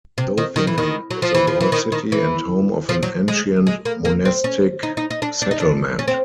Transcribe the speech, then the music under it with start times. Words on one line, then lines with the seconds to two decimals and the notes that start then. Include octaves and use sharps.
Zofingen is a walled city and home of an ancient monastic settlement.
0.18 C3
0.38 D#3
0.56 D#3
0.67 E3
0.78 D#3
1.11 F#3
1.22 F3
1.35 E3
1.47 F3
1.61 E3
1.72 D#3
1.92 D#3
2.12 E3
2.89 F3
3.03 F#3
3.28 G#3
3.67 G#3
3.85 A#3
4.05 A#3
4.25 C4
4.44 C#4
4.83 D#4
4.97 D#4
5.11 D#4
5.22 D4
5.42 D4
5.51 D#4
5.60 D4
5.99 C#4
6.08 C4